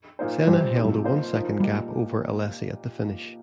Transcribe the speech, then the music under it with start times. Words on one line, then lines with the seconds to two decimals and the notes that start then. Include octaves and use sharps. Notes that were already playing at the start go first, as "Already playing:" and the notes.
Senna held a one-second gap over Alesi at the finish.
0.19 A#2 A#3 D#4 C5
0.47 G2 C3 F3 G3 C4 G4 C5
0.75 C3 F3 D#4 G4
0.85 G2 G3
1.04 F3 A#3 F4 C5 D#5
1.33 F3 D#4 A#4 D#5
1.60 A#2 G3 A#3 G4 D#5